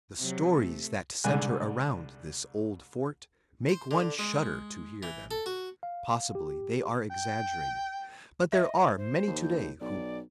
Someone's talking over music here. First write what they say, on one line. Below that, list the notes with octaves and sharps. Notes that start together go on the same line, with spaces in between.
The stories that center around this old fort make one shudder to hear them. Possibly they are exaggerated, but there are many today who believe them.
C3 F#3
A3
C2 G#2 D3 G#5 F#6
C5
D3
G#3
E3
A4
F#4
F5
G4
G5
D#5 E5
C5
D#2
G6
B1 D5